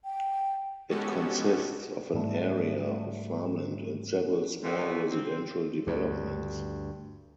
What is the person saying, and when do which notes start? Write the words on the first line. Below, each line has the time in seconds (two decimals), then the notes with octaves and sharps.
It consists of an area of farmland and several small residential developments.
0.04 G5
0.89 G#3 B3 C#4 F#4 G4 A4
2.14 G#2 G3 A3
4.63 A#2 D3 E3 F3 F#4
5.10 C4
5.87 D2 G2